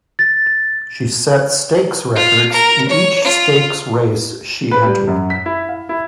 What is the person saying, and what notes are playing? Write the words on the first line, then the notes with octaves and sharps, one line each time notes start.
She set stakes records in each stakes race she entered.
A6
F4
A#4
C#5
F4
B4
G3
F#2
B6
E4
F5
E4